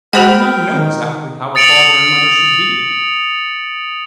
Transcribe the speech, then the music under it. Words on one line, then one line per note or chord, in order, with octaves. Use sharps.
He did not know exactly how a father and mother should be.
G#3 F#4 A#4 C5 F#5 G5 B5 F#6
D#3
D#6 A6 C#7 D7 F7 F#7